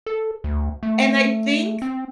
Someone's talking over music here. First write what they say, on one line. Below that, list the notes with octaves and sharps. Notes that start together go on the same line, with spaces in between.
and I think
A4
D2
A3
C4